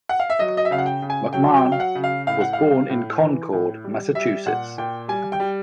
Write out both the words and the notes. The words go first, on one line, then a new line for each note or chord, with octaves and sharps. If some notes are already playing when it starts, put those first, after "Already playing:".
McMahon was born in Concord, Massachusetts.
F#5
F5
E5
F#3 D#5
D#5
E5
C#3 F5
F#5
G5
C#3
G#5
F#3 G5
G5
F#3
F5
F#5
C#3
F5
A2 F5
F#5
F5
G3
A2
E3
A2
G3
G3 E5
A#2 F#5
A#2 G5
G3 G#5
G5
G3